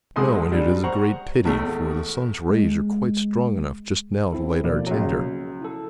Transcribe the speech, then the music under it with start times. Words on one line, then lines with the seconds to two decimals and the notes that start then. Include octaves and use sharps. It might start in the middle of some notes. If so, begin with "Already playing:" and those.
"No, and it is a great pity, for the sun's rays are quite strong enough just now to light our tinder."
0.16 B1 G#2 G#3 A4 C6 D#6
0.52 G3 D4
0.83 C5 F#5 A#5 C#6
1.44 G#1 E2 A3 G#4
2.50 G#3
4.33 C4 E4 A4
4.64 B2 F3 A#3 D5
4.86 C#2 F#3
5.61 E4 A4